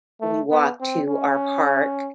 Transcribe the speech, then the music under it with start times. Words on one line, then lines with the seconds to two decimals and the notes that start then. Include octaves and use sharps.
we walk to our park
0.21 A3
0.51 B3
0.80 C4
1.08 C#4